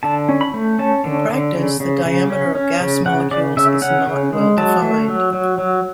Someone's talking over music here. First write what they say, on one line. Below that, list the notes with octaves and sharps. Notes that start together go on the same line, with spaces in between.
In practice, the diameter of gas molecules is not well defined.
D3 A5
C#4
B5
A3
C#4 A5
D3
D3
C#3
C#3
C#3
C#4
C#4
C#3
C#3 F#5
C#3 D5
C#3 E5
C#4 F#5
C#3
G#3
F#3 A5
A3
F#3
F#3
F#3